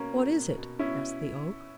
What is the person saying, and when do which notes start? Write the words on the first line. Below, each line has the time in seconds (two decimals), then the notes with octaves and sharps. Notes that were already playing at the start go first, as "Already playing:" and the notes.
"What is it?" asked the Oak.
Already playing: B2 A#3 C#4
0.14 B2
0.36 B2
0.58 B2
0.79 B2 C#4 E4